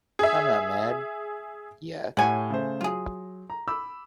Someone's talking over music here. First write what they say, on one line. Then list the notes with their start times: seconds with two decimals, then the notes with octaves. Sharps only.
I’m not mad — yet.
0.19 G#4 E5
2.17 A2 G4 C#5 F#5 G#5
2.50 C#3 A3 C5
2.81 F#3 F4 G#4
3.50 A#5
3.68 B5 D6 E6